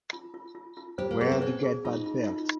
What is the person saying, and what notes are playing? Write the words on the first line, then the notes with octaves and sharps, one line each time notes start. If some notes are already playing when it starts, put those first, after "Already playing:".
Where'd you get that belt?
F4
F4
F4
F4
G4 C5
A#3
B3 G#4
C4
C#4 C5
G#4
D#4 F4
F4
F4